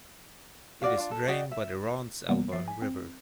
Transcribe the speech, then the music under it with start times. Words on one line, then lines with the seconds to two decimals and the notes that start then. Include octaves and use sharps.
It is drained by the Randselva river.
0.82 F#4 D5 F5
0.97 D4 F4
1.11 A4
1.28 F#4 D5 D#5 G5
1.51 E5
2.29 C3 E3 G3 A#3 B3
2.52 F3 E5 A6 C7
2.68 G#5 B6
2.82 C4